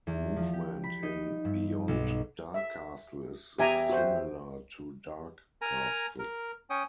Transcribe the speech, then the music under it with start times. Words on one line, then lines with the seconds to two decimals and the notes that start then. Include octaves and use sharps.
Movement in "Beyond Dark Castle" is similar to "Dark Castle".
0.07 E2
0.36 F3
0.53 G4
0.84 B5
1.03 D#4
1.45 G2
1.88 B1
2.54 E5
3.58 E2 G4 E5 G5 G#5 A#5
3.90 F#4 C5
5.62 A#4 G#5 A#5
6.19 A#4
6.70 C#4 C#5 G5 D#6